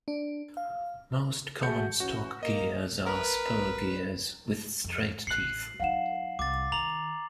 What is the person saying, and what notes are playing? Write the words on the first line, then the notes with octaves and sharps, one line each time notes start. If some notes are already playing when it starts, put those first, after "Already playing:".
Most common stock gears are spur gears, with straight teeth.
D4
F5
A3 F#4 G#4 G6 C#7
E3 C#4 F#4
A#3 D#5
A#4 B4
F2
A1 F#6 C7 C#7 F#7
F#3 D#4 F5 F#5 E7
C2 D6 A6
D#3 A#5 F7 F#7